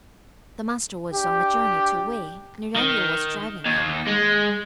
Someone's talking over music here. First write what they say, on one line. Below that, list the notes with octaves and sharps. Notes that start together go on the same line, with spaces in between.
The Master was on a journey to Wei, and Yen Yu was driving him.
D4 G4
D#3
D#2
G#3